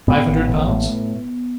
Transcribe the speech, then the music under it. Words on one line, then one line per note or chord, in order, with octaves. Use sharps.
Five hundred pounds?'
A2 B3
A1
A1
A2